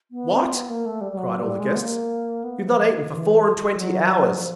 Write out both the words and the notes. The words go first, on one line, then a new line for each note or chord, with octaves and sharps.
"What," cried all the guests, "you have not eaten for four and twenty hours?"
B3
C4
B3
A#3
A3
G3
G3
F#3
G3
G#3
B3
A#3
B3
F3
E3
F#3
F#3
F3